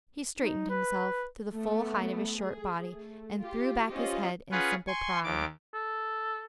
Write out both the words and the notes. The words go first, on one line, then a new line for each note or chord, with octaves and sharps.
He straightened himself to the full height of his short body and threw back his head in simple pride.
D#4
B4
A3 B3
G#4
A3
F4 G4
C#4 F4 G4 C5 D#5
C#4 F4 G#4 B4 F#5
G#5 C6 C#6
D#2 D6
A4